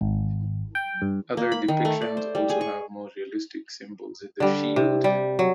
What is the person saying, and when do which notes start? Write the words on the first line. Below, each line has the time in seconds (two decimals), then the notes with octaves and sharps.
Other depictions also have more realistic symbols in the shield.
0.01 G#1
0.75 G5
1.02 G2
1.37 A#3
1.52 B5
1.68 D#3
1.85 A3
2.02 D5
2.17 C5
2.35 G3
2.49 G#4
2.61 C#6
4.40 D3 G3
4.76 C3
5.04 G3
5.39 F#3